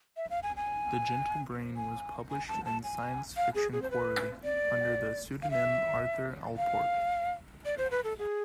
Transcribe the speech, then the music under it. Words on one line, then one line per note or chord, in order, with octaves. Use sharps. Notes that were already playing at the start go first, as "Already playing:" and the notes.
"The Gentle Brain" was published in "Science Fiction Quarterly" under the pseudonym Arthur Allport.
E5
F5
G#5
G#5
G#5
G#5
A5
A5
G#5
F5
G#4
G#4
C5
B4
D5
F5
E5
F5
D5
C5
B4
A4
G#4